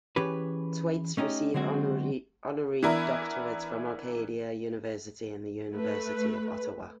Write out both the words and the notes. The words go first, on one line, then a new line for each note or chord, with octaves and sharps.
Twaits received honorary doctorates from Acadia University and the University of Ottawa.
E3 C#4 G4 G#4 B4
A3 C#4 D#4 G4
D3 F#3 G#3 C4 F#4
E3 B3 D4 E4 A#4 E5
A3 B4